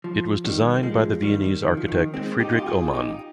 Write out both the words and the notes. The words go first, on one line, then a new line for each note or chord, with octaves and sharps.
It was designed by the Viennese architect Friedrich Ohmann.
F3
D#3 G3
F3 G#3
D#3 G3
D#3
F3
D#3
G#3 C4
D#4 G4
F4
G4
F4 G#4
D#4 G4